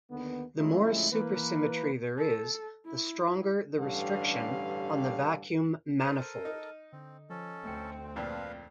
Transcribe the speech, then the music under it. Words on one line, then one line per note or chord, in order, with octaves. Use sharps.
The more supersymmetry there is, the stronger the restriction on the vacuum manifold.
D#2 D3 D#3 B3
D2 F3 G#3 A3 C#4 E4
E3 A#3 B4
A4
E4
A1 G2 D3 C#4 G4 F5
A4 A#4 C5 F6 D#7
D#4
D3 C4
F3 C#4 A4
D2 D3 A3 C4 C#7
F2 A#2 B4 D5 F5 G5 A5